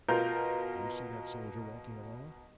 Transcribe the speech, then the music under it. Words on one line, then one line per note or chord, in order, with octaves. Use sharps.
Do you see that soldier walking along?
B2 F4 A#4 G6